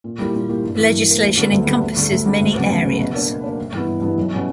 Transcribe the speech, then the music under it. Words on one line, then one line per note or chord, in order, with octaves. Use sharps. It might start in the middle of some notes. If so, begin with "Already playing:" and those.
The legislation encompasses many areas.
A#2
G3 A#3 E4 G4
A#2
G3 A#3 E4 G4
G2
E3 A#3
G2
E3 A#3
D2
D3 G3 B3
D2
D3 G3 B3
D2
D3 G3
D2
D3 G3
D2
C#3 F#3 B3
D2
C#3 F#3 B3
B2
A#3 D4
B2
A#3 D4
G1
G2 E3 B3
G1
G2 E3 B3
B1
B2 G3 C#4